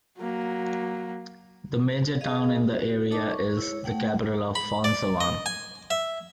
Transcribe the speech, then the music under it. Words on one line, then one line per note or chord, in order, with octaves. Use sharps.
The major town in the area is the capital of Phonsavan.
F#3 A#3
G#4 D#5 F5
F#4
D#4 A4 C#5 D#5 A5 D6
C#6
E4 C#5
A3 F#5 G5
B5
D5
D#5
G#5
E5